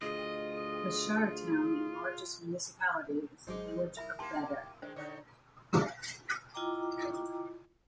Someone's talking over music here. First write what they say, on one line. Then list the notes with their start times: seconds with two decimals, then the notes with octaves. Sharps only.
The shire town and largest municipality is the village of Baddeck.
0.02 D2 F4 G#4 D#5
3.47 G#1 F#3 G#3 D#4 G#4 C5 D6
3.97 E4 A#4 E5 B5
4.19 A#3 G4 A5 C6
4.82 D#3 G#3 D4 C5 G5
4.96 D3 D#4 C#5 D5
6.54 E4 F4 D#5 G5 A#5 D6